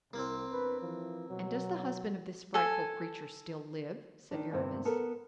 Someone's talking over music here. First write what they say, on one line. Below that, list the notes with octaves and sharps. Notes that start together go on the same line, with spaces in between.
"And does the husband of this frightful creature still live?" said Aramis.
C2 A#3 C4
E2 D4 B4
E3 F3
B2 F#3
A4 G#5
D#3 D4
E2 G2 C3 A#3 C4
B3 A4 A#4